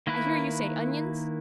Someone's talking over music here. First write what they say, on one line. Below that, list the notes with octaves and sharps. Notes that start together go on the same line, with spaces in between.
I hear you say onions?
D#3 A#3 E4 B4